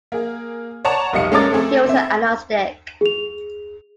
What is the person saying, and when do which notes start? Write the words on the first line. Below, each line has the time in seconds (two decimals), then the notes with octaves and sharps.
He was an agnostic.
0.12 A#3 G#4
0.85 C#5 D5 F#5 A5 A#5 C#6
1.13 F1 B1 G3 D#5 F5 C#7
1.32 G#3 C#4 A4 A#4 D6 A6
1.52 A3 C4 G#4 A4
1.86 C4 E5
3.01 G#4 F7